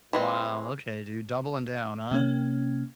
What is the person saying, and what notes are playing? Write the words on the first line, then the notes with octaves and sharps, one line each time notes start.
Wow, okay, dude, doubling down, huh?
E3 G#3 C4
C3 A#3 C#4